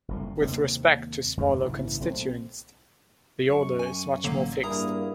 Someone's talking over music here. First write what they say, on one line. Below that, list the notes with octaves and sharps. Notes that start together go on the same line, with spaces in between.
With respect to smaller constituents, the order is much more fixed.
F#1 C2 A2
D#2 C3 G#3 A#3
F2 D#3 A3
A#1 G#2 C#3 E3
B1 A#2 A3 C4
F#2 C#6 C#7
G#5
A1 D3 F#3 A#3
G2 A#3 E4 G#4 A#4 A#5 D#6